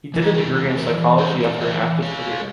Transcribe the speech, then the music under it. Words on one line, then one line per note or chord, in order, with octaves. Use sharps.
He did a degree in Psychology after an active career.
E3
G4
G#3 F4 G#4
E4
E3 G4 A#4
E3
G#3 G#4 C5
E4
E3 C5 E5
E3
G#3 C#5 F5